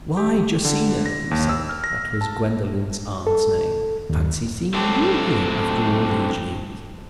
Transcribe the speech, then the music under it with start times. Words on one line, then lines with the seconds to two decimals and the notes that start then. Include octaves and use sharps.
"Why, Josina," he said--that was Gwendolen's aunt's name--"fancy seeing you here after all these years!"
0.17 G4
0.65 D3
1.06 A#6
1.31 D#2
1.49 E6
1.69 F6
1.84 A#6
2.21 A5
3.27 A4
4.10 D#2
4.74 F#3 A3 C4 D4